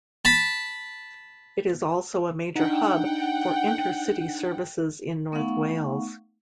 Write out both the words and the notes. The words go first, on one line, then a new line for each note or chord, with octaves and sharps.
It is also a major hub for inter-city services in North Wales.
A5 B5
D4 D#4 F#5 G5
A3 B3 D#4 F5 F#5 C#6